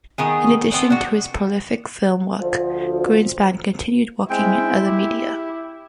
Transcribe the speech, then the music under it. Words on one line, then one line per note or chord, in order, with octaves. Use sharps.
In addition to his prolific film work, Greenspan continued working in other media.
D#3 B3 G#4
B3 C4 D4
D4 F#4
D2 F3
G#3 C4 E4 G5
G4